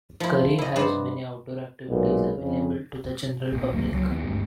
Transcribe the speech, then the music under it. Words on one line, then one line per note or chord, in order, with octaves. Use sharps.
Currie has many outdoor activities available to the general public.
F3 E4
E4 D#5
G2 B3 C5
B1 A#2 G#3 A#3 B3
F2 C#3
A#1 B2
D1 B1 A#3
C#2 F#3
D#2 B3
G#1 D2 G2